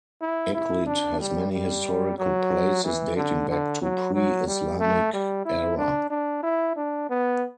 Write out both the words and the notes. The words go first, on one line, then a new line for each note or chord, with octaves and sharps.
Eghlid has many historical places dating back to pre-Islamic era.
E4
E4
D4
G3
G3
F#3
E3
D3
D3
F#3
F#3
G3
A3
G3
E4
D4
D4
E4
D4
B3